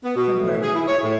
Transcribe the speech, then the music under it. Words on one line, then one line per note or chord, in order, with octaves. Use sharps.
convert it?
B3
B2
A2
G#4
E4
C#5
A2